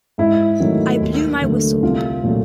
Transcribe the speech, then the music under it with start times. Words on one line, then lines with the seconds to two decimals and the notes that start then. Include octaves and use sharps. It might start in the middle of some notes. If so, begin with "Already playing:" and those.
I blew my whistle.
0.18 G#2 E4
0.60 D#3 F#3 A3
1.01 D#2
1.41 D3 F#3 A3
1.83 C2 F4
2.23 A#2 F#3 A3